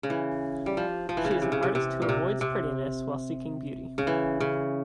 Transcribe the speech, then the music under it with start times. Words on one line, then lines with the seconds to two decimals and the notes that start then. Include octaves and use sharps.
She is an artist who avoids prettiness while seeking beauty.
0.03 C#3
0.10 E3
0.66 G3
0.77 F3
1.09 F3
1.17 E3
1.25 C#3
1.31 E3
1.42 C3
1.52 C#3
1.63 C3
1.75 C3
2.02 A#2
2.09 C3
2.41 C3
3.98 C#3
4.07 E3
4.40 C#3